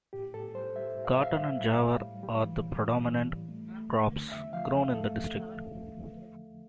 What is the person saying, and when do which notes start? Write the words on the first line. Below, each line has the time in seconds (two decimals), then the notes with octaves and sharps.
Cotton and Jawar are the predominant crops grown in the district.
0.13 A2 G4
0.34 A2 A4
0.55 G3 C5
0.76 G3 E5
0.97 A2
1.05 F5
1.13 E5
1.17 G3 F5
1.39 G3
1.60 G3
1.81 A2
2.02 G3
2.23 G3
2.43 E3
2.64 A2
2.86 A2
3.06 E3
3.27 G3
3.48 A3
3.69 A3
3.90 E2
4.11 D3
4.32 E2 E5
4.53 F3 F5
4.74 E2
4.94 A3 A4